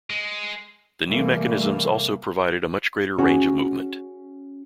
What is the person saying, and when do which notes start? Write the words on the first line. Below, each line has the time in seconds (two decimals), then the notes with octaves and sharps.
The new mechanisms also provided a much greater range of movement.
0.10 G#3
1.07 C3 E3 G3 A3 A#3
3.18 C#4 F#4 G#4 C#5